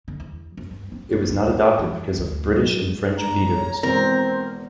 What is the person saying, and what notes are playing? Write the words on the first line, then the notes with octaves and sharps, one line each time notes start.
It was not adopted because of British and French vetoes.
D3
E2
F#2
G2
C4
A#1
D2
A2
E3
D2
F#3
D4 A#5
C#5
G#1 B2 E3 C4 A#4